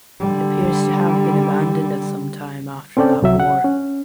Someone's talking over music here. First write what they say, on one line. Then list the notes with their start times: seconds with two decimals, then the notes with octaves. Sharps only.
It appears to have been abandoned at some time after that war.
0.20 D3 G3
2.97 C4 C#4 A4 D5 G5
3.22 C2 F#3 E5
3.40 F#5
3.64 C#4